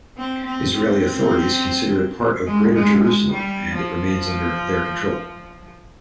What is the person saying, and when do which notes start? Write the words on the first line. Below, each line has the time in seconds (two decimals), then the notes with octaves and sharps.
Israeli authorities consider it part of Greater Jerusalem, and it remains under their control.
0.17 C4
0.46 C4
0.75 C4
2.47 G#3
2.75 G#3
3.03 G#3
3.32 G3
3.75 F3